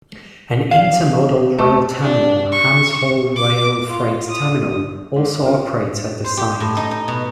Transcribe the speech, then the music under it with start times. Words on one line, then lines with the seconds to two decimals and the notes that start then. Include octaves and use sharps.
An intermodal rail terminal Hams Hall Rail Freight Terminal also operates at the site.
0.71 F5
1.58 A3
2.02 D4
2.52 C#6
3.36 D6
3.87 F4
4.30 D#6
4.72 D4
5.16 G#2
5.44 C#4 D4 F4 A#4
6.24 C5
6.37 G4
6.60 A2
6.77 D#4
6.91 D#4
7.08 B2